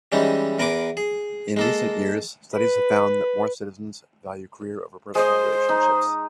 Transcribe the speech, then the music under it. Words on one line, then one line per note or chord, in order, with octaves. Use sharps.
In recent years, studies have found that more citizens value career over personal relationships.
E3 G3 G#3 C#4 D#4
E2 A#4 B4 G#5 D6
G#4
G#3 A#3 A4
B4
G#3 C5 D#5
D#4